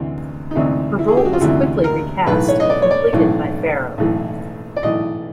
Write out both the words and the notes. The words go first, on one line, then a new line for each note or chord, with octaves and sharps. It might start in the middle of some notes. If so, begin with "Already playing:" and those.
Her role was quickly recast and completed by Farrow.
Already playing: D2 C3 E3
D#4
D2 C3 E3 E4
E4
G#4
G4
F#4
F4
D2 C3 E3 E4
A#4
B1 A2 E3 B4
C#5
D#5
D5
C#5
D5
B1 A2 E3
B1 A2 E3
D5
B1 A2 E3 D#5